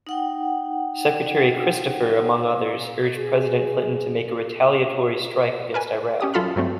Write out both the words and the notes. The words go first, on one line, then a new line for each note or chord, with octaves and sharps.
Secretary Christopher, among others, urged President Clinton to make a retaliatory strike against Iraq.
D#4 F#5 G5
G#4
A#4 B4 G#5
C#4 G4 D#6
F#2 F4 A4 B5 F6
G2 F#3 A3 C4